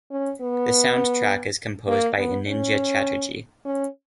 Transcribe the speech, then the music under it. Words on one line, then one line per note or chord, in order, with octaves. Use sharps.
The soundtrack is composed by Anindya Chatterjee.
C#4
B3
A#3
B3
C#4
C#4